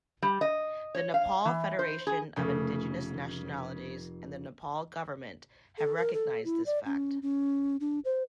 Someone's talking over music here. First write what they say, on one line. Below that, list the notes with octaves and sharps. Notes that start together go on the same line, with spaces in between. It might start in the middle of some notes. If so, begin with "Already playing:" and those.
The Nepal Federation of Indigenous Nationalities and the Nepal government have recognised this fact.
G3
D#5
C#5
F5
E3
C5
G#4
F1 C#3 A3 B6
A4
A#4
A4
E4
D5
C#4
C#4
D4
C5